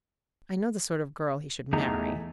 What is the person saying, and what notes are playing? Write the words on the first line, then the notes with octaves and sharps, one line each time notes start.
I know the sort of girl he should marry.
E2 A3 D#4 G4 G#4 A#5